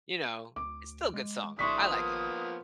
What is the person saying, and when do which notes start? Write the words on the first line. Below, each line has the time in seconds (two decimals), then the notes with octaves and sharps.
you know, it's still a good song. I like it.
0.56 D2 D6
1.14 G#3
1.59 G#1 A3 D4 E4 C6 C#6 D#6 B6
1.90 F3 A#3 B3